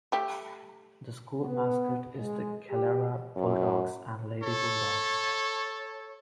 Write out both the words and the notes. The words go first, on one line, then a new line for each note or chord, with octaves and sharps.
The school mascot is the Calera Bulldogs and Lady Bulldogs.
A3 G4
B3
G#3
G4
F#2
A4 C#5